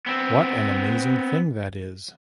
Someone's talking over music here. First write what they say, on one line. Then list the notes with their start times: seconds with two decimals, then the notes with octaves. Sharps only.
What an amazing thing that is!
0.07 B3 C4